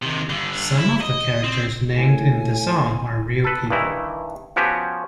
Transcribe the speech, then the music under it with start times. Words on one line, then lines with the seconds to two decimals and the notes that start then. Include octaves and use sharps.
Some of the characters named in the song are real people.
0.02 C3 D#3
0.30 G2 D3
0.78 E4
1.01 D#5
1.44 C4
1.96 A2 G#5
3.44 A4 B4
3.70 G2 D#3 E3 E4
4.56 F3 B3 C#4 F#4 G4